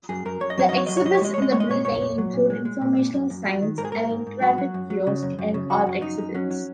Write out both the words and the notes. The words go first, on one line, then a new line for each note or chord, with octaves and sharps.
The exhibits in the building include informational signs, an interactive kiosk, and art exhibits.
F#2 G#4
F#2 A#4
F#2 C#5
D#5
F#3 C#5
D#5
F#3 C#5
F#3 D#5
C#5
F#3 D#5
C#5
G#3 D#5
C#5
G#3 D#5
G#3 C#5
D#5
A#2 C#5
A#2 C#5
A#2
F#3
A#2
G#3
G#3
A#2
A#2
F#2
F#2
F#3
D#3
G#2 A#4
G#4
G#2 A#4
G#2
G#2
F#3 F#4
F#3
F#2
F#3
C#3
F#2
F#2
C#3
F#2 F#4
F#2
F#2 D#4
F#2
F#3 C#4
F#3